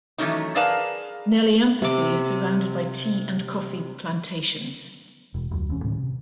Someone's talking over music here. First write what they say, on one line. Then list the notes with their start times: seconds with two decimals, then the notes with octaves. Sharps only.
Nelliampathy is surrounded by tea and coffee plantations.
0.18 D#3 E3 F#3 A3 C#4 D#4
0.55 G#4 A#4 B4 D5 F5 A5
1.82 C3 E5 D6
5.34 E1
5.51 F1 D2 F#3
5.69 E1 E3 C#4
5.84 A2 D3 D#3 C#4
5.99 C3